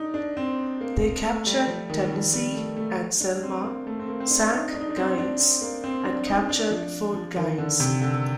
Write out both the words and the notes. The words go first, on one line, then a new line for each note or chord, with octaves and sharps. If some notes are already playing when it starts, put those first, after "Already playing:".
They captured "Tennessee" and "Selma", sank "Gaines", and captured Fort Gaines.
Already playing: D4 D#4
D4
C4
A#3
A3
G3
F3
D#3
G3
F3
G3
A3
A3
D4
C4
A#3
A3
C4
A#3
C4
D4
D#4
D#4
D4
D#4
D4
C4
D4
C4
A#3
C4
D4
D#4
D4
F3
F3
D#3
D3
C3
D3